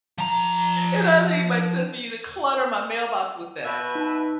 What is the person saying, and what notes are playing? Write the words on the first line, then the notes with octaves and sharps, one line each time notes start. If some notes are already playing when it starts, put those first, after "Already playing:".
it doesn't even make sense for you to clutter my mailbox with that,
F3 A#5
B2 B4 E5
D#4 A5